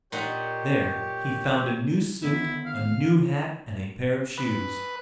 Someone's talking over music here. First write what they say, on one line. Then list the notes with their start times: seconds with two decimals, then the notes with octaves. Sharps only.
There, he found a new suit, a new hat, and a pair of shoes.
0.12 A#2 D#4 G4 C#5 F#5
2.23 D3 D#3 B3 E4
2.66 F5
4.38 B4